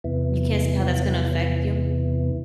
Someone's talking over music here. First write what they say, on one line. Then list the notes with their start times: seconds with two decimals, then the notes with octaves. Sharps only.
you can't see how that's gonna affect you?
0.04 E2 C3 B3 E4